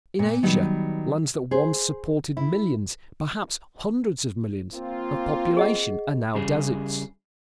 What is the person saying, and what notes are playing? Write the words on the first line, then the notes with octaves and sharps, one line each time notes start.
In Asia, lands that once supported millions, perhaps hundreds of millions, of population are now deserts.
A#2
D#3 F#3 G3 B3
G#4 C5
E4
A#3 C4 F4
G#4 D#5 F#5
C#3 G3 G#4